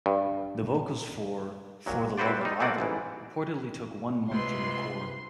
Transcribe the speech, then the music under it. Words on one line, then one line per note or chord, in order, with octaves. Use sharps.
The vocals for "For the Love of Ivy" reportedly took one month to record.
G2
C2 A#2 F#3
C4 E4 F#4 B4 C5 D5
G3 D#4
A3 A#3 C4 D5 F#5
A1 G#2 E3
C#2 C3 B4 C6